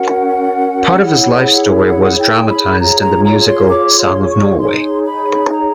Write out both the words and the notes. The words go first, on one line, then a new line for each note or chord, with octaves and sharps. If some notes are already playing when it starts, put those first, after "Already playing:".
Part of his life story was dramatised in the musical "Song of Norway".
Already playing: C#4 F#4 A#4 F#5
E4 G#4 C#5
F#5
G5
B5
F4 G#4 C#5 A#5
A#5
A#5
C6
D6
C6
C#6
D#4 G#4 C#5 C6
B5
A#5